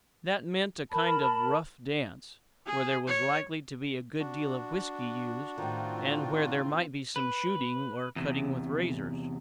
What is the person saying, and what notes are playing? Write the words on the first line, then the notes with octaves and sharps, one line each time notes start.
That meant a kind of rough dance, where there was likely to be a good deal of whiskey used, and where there might be some shooting or cutting with razors.
A#4 A5 B5
G#4
C#5
D4 F#4
A2 D#3 C4 F4
B4
E2 C3